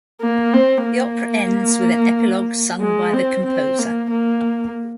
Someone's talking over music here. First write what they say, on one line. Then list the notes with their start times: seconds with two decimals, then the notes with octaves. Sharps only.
The opera ends with an epilogue sung by the Composer.
0.21 A#3
0.54 C4
0.85 A#3
2.81 G#3
3.14 C4
3.46 C4
3.79 A#3
4.11 A#3